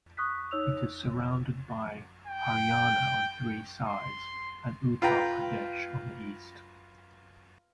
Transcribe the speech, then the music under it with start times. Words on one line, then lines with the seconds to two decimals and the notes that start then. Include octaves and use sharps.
It is surrounded by Haryana on three sides and Uttar Pradesh on the east.
0.17 C#6 D#6 F#6 B6
0.51 D#4 C#5 E6 F7
2.27 G5
3.87 C6
5.02 F4 B4 G5 A#5